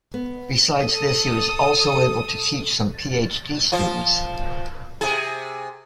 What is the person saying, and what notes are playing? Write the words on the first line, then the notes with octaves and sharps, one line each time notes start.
Besides this he was also able to teach some Ph.D. students.
B3
A4 D#6
F3 F4 C5
C3 G#4